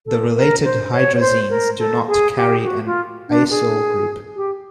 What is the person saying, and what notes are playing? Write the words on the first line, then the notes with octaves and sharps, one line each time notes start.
The related hydrazines do not carry an acyl group.
A4
A#4
C5
C#5
C#5
C5
A#4
A4
G#4
G4
F#4
F4
D4
G#4
G4